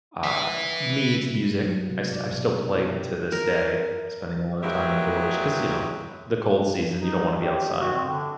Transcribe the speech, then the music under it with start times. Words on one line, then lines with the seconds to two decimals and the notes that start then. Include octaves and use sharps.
uh me? It's music, I st I still play to this day, spending a lot of time indoors 'cause, you know, the cold season, you don't wanna be outside.
0.24 B4 E5
1.63 F#3
1.75 F#3
1.90 C3
2.11 D5
2.31 B2
2.44 A#4
2.75 E4
2.88 G4
3.32 A#4
4.63 E3 F#3 G#3 A#3 G4 E5
6.98 D#4
7.39 G4
7.80 F#4
7.95 C4
8.09 D3